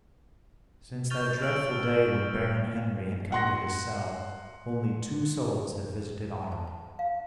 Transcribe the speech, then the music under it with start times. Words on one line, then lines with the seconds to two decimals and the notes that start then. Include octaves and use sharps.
Since that dreadful day when Baron Henry had come to his cell, only two souls had visited Otto.
1.10 C#6 F6 G6 A6 F7 G7
1.42 E6 F6 D7 F7 F#7
3.32 F#5 C6 A#6
6.52 A5
6.67 A5
6.99 F5